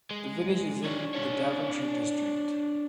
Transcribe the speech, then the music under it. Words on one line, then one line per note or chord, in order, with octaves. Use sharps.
The village is in the Daventry district.
G#3
D4 C#5
D4 C#5